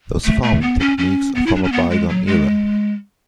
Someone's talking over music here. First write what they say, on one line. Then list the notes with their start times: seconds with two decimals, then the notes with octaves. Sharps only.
Those farming techniques are from a bygone era.
0.24 A3
0.43 A3
0.62 B3
0.80 C#4
0.98 C#4
1.35 B3
1.46 E4
1.55 D4
1.63 C#4
1.72 B3
1.91 G#3
2.09 F#3
2.27 G#3